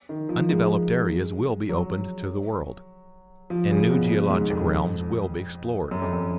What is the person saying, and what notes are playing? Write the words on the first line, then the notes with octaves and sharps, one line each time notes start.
Undeveloped areas will be opened to the world, and new geologic realms will be explored.
D#3
F3
G#3
F#3
F3
C#3
B2
B2
G#2
F2
F#2
F2
F#2